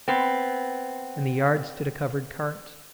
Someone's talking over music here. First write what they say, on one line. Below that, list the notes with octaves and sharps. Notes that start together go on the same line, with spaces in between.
In the yard stood a covered cart.
B3 C4